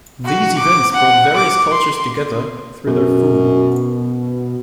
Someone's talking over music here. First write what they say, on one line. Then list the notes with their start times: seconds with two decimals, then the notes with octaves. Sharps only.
These events brought various cultures together, through their food.
0.24 F#4
0.58 D6
0.94 F#5
1.36 D6
1.72 C6
2.87 F#2 B2